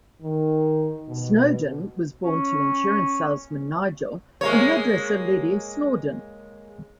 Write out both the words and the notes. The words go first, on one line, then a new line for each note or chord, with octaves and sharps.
Snowdon was born to insurance salesman Nigel and hairdresser Lydia Snawdon.
D#3
B2
C#4
G#3 A#3 C#5